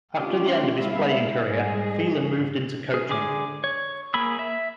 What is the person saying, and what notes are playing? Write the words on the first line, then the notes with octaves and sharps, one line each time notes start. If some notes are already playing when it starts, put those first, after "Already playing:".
After the end of his playing career, Phelan moved into coaching.
A3 C#4 D4 F4 G4
G3 G#3 B3 E4 E5 F5
G#2 G3 G#4 D#5
G#4
D3 G#4 G#5 D6
C#5
A#3 G#4 B5 E6
E5